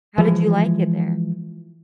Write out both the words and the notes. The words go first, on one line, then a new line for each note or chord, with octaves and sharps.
How did you like it there?
E3 F3 G#3